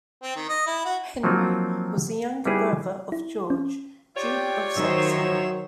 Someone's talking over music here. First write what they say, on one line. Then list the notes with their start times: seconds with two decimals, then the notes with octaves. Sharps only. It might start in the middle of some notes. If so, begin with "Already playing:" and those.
Henry was the younger brother of George, Duke of Saxony.
0.23 C4
0.36 D#3
0.49 D#5
0.67 E4
0.85 F#4
1.23 F3 F#3 A#3 C4 D#4 F4
2.45 G3 B3 D#4 E4 G#4
3.12 E4
3.50 C#4
4.16 F4 G4 C#5 D5 G5
4.76 D#3 F#3 C5 E5 E6